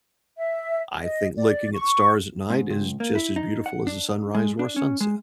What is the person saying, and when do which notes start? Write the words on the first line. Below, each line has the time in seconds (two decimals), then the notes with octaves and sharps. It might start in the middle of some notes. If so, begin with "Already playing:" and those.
I think looking at the stars at night is just as beautiful as a sunrise or a sunset.
0.37 E5
1.02 D#5
1.37 D5
1.74 C#6
2.50 G#2
2.70 C#2
3.00 A#3
3.15 E4
3.36 D#4
3.66 F#5
3.87 D4
4.34 G#3
4.59 D4
4.76 C#4
5.01 G#3